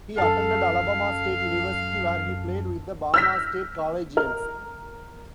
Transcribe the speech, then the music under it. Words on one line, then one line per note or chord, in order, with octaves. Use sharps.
He attended Alabama State University, where he played with the Bama State Collegians.
F#2 A4 F5 A5
E6 F6 G6 A#6 B6
A#4 F6